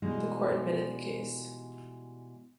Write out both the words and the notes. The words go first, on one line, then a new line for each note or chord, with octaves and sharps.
The court admitted the case.
B2 E3 G3 G#3 D#4